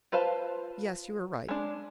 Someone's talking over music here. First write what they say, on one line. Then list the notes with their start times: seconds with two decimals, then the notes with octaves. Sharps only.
Yes; you are right.
0.12 F4 B4 C5 F5 A5
1.48 G#3 D4